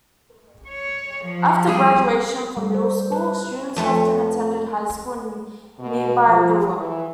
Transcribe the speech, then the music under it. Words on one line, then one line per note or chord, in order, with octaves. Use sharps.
After graduation from middle school, students often attend high school in nearby Brewer.
C#5
F3
G3 G#4
G3
C5
B4
F2 A3 B4 C#5
B2
F3
E3